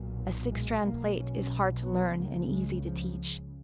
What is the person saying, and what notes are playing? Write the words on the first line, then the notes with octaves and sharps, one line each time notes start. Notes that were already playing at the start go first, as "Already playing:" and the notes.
A six-strand plait is hard to learn and easy to teach.
Already playing: B1 A#2
G#3
B1 B2 A#3
C#4
B3
C#2 C#3 A#3
G#3
F3